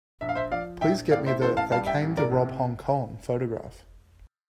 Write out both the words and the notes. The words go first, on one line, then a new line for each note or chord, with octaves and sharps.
Please get me the They Came to Rob Hong Kong photograph.
A#1 E5
F5
C5 E5
F3 D5 F5
A#1 E5 G5
A2 D5 F5
C5 E5
A1 A4 C5
F5 A5
G3 F5 A5
E5 G5
A1
A#4 D5
C3